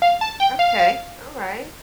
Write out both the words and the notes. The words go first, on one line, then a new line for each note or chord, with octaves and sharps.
Okay, alright,
F5
A5
G5
F5